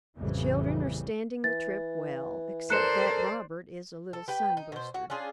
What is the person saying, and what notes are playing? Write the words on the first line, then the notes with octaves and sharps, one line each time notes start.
The children are standing the trip well, except that Robert is a little sun-blistered.
A1 F2 C#3 E3 G3
E3 A6
A4 A#4 C5 D5 F#6 C#7 E7
A4
G4 B4 G5
D#4
B2 C5
F#4
C#4 D4 F4 G#4